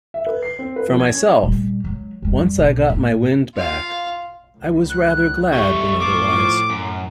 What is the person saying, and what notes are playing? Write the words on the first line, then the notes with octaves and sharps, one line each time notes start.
For myself, once I got my wind back, I was rather glad than otherwise.
E5
B4
C7
C4
B4
F3
G#6
C#4
A#2 G3
F#3 G#3
F2 G3
B1
A2
F4 F5
C#2
F#6
G3 A3 C#6
A2 F3 D6
F#2